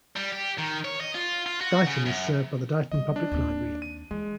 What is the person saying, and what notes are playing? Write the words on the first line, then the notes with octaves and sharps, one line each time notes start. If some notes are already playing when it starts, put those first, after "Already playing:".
Dighton is served by the Dighton Public Library.
G3
G4
D#3
C#5
D#5
F4
F4
F#4
C#3
F#2
G3 C4 D#5
D4
D#2 C4
D#7
E3 G#3